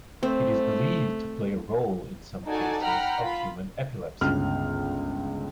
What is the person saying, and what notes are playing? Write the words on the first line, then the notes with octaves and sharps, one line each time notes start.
It is believed to play a role in some cases of human epilepsy.
A3 C4
D#4 F#4 A4 D5 G#5 A5
F#5 G5 A#5 B5 F6
F4 B5
G1 C#2 F6